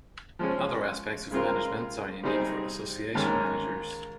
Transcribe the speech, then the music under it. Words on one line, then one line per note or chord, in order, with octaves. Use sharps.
Other aspects of management are unique for association managers.
F3 G#3 C#4
C#3 G#3 C4 F4 A#4
C3 G3 C4 D#4 G#4
G#2 D#3 A#3 C#4